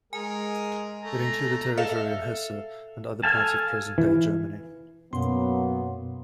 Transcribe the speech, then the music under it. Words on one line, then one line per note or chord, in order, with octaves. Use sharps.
It included territory in Hesse and other parts of present-day Germany.
G#3 G#4 A#4 G#5
A3 A#5
A4 E5 F5
A4 F5 G#5 A5
E3
F#2 B2 F#3 A#3 B3 C6